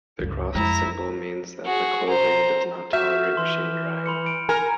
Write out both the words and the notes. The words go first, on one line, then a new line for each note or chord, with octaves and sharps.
The crossed symbol means that the clothing does not tolerate machine drying.
C#2 G2
F2 G#3 E4 A#5
F#4 G#4
C5 A#5
F#4 E5 F6 G6 E7
E3 C6
B5 C6 C#7
D7
A#4 G#5